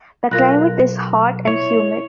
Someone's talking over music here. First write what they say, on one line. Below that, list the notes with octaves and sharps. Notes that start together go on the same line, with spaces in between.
The climate is hot and humid.
B1 F4 A#4 B5 F#6 A#6
E4 C#5